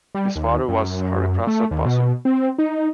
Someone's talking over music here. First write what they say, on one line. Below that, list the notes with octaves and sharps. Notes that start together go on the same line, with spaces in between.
His father was Hariprasad Basu.
G3
D#2
F#2
A3
D#2
B2
C4
D#4